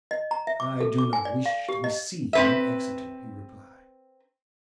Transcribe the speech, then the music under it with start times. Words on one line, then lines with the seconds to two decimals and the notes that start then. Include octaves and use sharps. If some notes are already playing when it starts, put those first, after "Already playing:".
"I do not wish to be seen in Exeter," he replied.
0.11 D#5
0.31 A#5
0.47 E5
0.60 D6
0.80 A4
0.98 D6
1.13 G#5
1.25 D5
1.46 F5
1.69 G4
1.84 D#5
2.33 C4 B4 E5